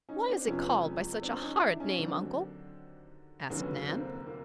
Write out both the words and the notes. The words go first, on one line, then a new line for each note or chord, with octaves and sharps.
"Why is it called by such a horrid name, Uncle?" asked Nan.
C#4 D#4
C4 D4
D4
F2 C3 F3 G#3 B3 C#4
C4 D4
C#4 D#4
D4 E4
C#4 D#4
D#2 D3 F#3 C4 D4
F1 D#2 D3 F#3 B3 C#4
A#3 C4
A#3